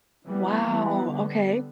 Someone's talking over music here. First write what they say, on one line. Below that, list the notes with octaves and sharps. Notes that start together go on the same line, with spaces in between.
Wow, okay.
E3 G3 B3
E3 G3 B3
D3 G3 B3